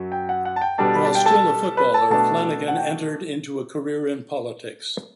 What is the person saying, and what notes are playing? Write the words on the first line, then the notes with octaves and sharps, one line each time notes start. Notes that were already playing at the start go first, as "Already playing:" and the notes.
While still a footballer, Flanagan entered into a career in politics.
Already playing: F#2 F#3
G5
F#5
F#5
A5
G5
B2 G3 D4 A4 A5
B5
A5
G5
A4 A5
B4 B5
A4 A5
B2 A3 D4 A4 A5
F#5
G5